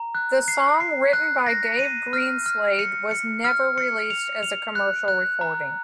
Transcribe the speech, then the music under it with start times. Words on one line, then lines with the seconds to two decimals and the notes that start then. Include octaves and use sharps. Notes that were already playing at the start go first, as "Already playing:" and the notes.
The song, written by Dave Greenslade, was never released as a commercial recording.
Already playing: A#5
0.15 F#6
0.48 C7
0.80 C7
1.13 F#6
1.46 A#6
1.79 D#7
2.13 F6
2.46 F6
2.79 C#7
3.11 C#7
3.44 F6
3.78 C#7
4.10 F7
4.43 F7
4.75 F#6
5.08 F#6
5.41 A#5